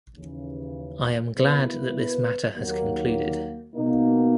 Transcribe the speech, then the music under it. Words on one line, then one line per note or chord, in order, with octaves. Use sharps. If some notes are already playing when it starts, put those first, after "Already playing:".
I am glad that this matter has concluded.
D#2 C#3 E3
B2 A#3 E4 B4
D#2 D#3 F#3 A#3
B2 A#3 D#4